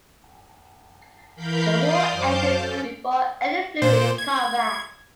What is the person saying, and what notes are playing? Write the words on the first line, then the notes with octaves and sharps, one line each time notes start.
The war ended before any flew in combat.
E3 A#4 F5 B5 G6
D5 F5 C6 D6 D#6 G6
F#2 C5 F5 A5 D6 G6
C#4 A4
A#2 C5
G#6